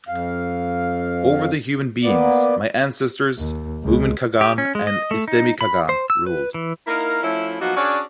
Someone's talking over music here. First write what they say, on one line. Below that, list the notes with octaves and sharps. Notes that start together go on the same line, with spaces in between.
Over the human beings, my ancestors Bumin Kagan and Istemi Kagan ruled.
F2 F5
A#3 B3 D5
D#2
C#2 G#3
G4
C#4
G#3
D#5
A3
D#4
B5
C5
E6
B4
E3
A#3 D#4 E4 A#4
F3 A3 C#4 E4
F3 F#3 A#3 B3 D#4 F#4
C#4 D4 F#4 G#4 C#5 D5